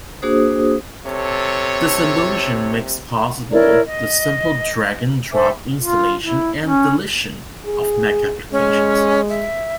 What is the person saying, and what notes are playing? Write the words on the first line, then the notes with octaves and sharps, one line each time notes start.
This illusion makes possible the simple drag-and-drop installation and deletion of Mac applications.
A#3 D4 F#4 G#4 C5 D#6
C3 A4 C#5
E4 A#4 C#5 D5
D#5
A4 C5 E5 G#5
F4
E4
C#4
G#4
G#3 C#4
E5